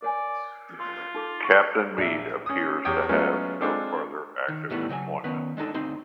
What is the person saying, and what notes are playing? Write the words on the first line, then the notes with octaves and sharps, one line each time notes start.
Captain Meade appears to have had no further active employment.
A#4 C#5 D5 G#5
F4 C6
D#4 A4 D6
C#6
A#1 E5
C#4 D#6
E2 G4 C#5 G5 D#6
F#3 G#3 A3 B3 C#4 F4
G#3 C4 D4 F4 A4
D#3
A2 D#3 E3 G3 A3 B3
C#3 F#3 D5 G#5
D#3 B3 C#4 B4
G#3 D4 D#4 A4
D2 C4 D#4 C6